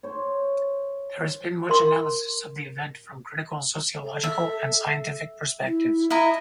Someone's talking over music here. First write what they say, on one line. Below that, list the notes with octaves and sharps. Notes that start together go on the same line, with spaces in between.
There has been much analysis of the event from critical sociological and scientific perspectives.
C5 C#5
A#4 C6
A4
E5
E4
E4 D#5 E5 A#5